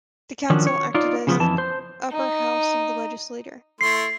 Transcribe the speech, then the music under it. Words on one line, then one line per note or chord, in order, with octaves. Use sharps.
The council acted as an upper house of the legislature.
D#3 F3 F#3 C#4 D4
C#5
D#4 F4 D5
C#3 F3 A3 B3
F2 E3 A5
C5
D#4
A3 E4 C6 C7